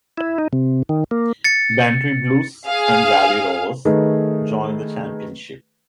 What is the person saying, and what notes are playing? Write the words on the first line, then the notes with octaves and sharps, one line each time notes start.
Bantry Blues and Valley Rovers joined the championship.
E4
D#4
C3
D#3
A#3
A6 C#7
G#4 F5
D#3 A3 D#4 G#4 B4